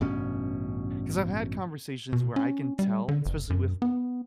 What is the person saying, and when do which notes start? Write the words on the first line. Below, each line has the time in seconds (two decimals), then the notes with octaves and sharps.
'Cause I've had conversations where I can tell, especially with
0.01 A1 G2 B2 C#4
2.13 B2
2.36 C#4
2.79 G3
3.08 D3
3.26 F#1
3.50 F#2
3.82 B3